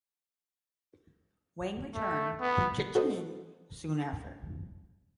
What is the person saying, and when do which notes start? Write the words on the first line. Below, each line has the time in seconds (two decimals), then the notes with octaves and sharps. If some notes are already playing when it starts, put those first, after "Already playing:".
Wang returned to Jicheng soon after.
1.94 A3
2.40 B3
2.95 F#4 A4 B4 C5 D#5